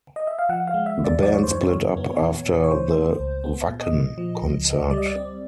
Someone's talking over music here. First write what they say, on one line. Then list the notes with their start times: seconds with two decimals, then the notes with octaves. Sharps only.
The band split up after the Wacken concert.
0.16 D#5
0.27 E5
0.39 F5
0.49 F3 F#5
0.67 F5
0.74 G#3
0.86 E5
0.99 D#2
1.04 D5
1.22 F3 D5
1.33 C#5
1.43 F#2 C5
1.53 C#5
1.71 F#2
1.97 B3
2.20 A#2
2.46 A#2
2.64 C#5
2.71 E3 C5
2.95 A3
3.20 C#2
3.44 B3
3.67 A#2
3.80 D#5
3.93 A#2
4.18 F3
4.41 C#2
4.66 C#2
4.90 G3 D5
4.98 D#5
5.06 D5
5.16 C4